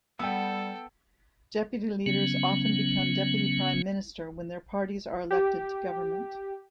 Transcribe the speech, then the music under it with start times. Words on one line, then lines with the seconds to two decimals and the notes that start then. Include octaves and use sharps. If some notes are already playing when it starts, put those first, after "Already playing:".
Deputy leaders often become deputy prime minister when their parties are elected to government.
0.19 G3 B3 A4 G5 E6
2.06 C#3 F#3 B3 C#4
5.31 G4